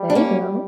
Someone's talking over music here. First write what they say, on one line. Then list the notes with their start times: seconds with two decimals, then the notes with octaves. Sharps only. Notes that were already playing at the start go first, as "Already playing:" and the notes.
There you go.
Already playing: G3
0.10 D4
0.15 A#3 C#4